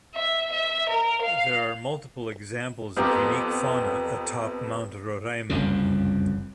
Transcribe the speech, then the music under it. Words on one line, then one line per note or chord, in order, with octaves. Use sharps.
There are multiple examples of unique fauna atop Mount Roraima.
E5
E5
A#4
F5
F2 B3 C4 G4 A#4
F#1 C2 F2 C#3